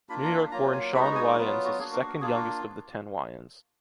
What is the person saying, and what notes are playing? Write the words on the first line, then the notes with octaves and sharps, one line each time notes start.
New York-born Shawn Wayans is the second youngest of the ten Wayans.
A#3 D4 F4 B5
A#5
B5
F#3 A#3 F4 A#5
G#5
G#3 B3 D#4 F#4 B5
A#5
G#5
F#3 B3 F4 A#4
F#4
A#3 D4 F#4 G#4
A#4
A#4
A#3 D4 F4 G#4
F#4